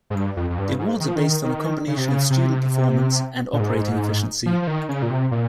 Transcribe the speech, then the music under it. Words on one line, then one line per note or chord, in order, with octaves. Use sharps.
The awards are based on a combination of student performance and operating efficiency.
G#2
G2
F2
F2
G2
G#2
D#3
F3
D#3
D#3
C#3
C3
C#3
C3
A#2
G#2
F3
F3
D#3
C#3
A#2
C3
A#2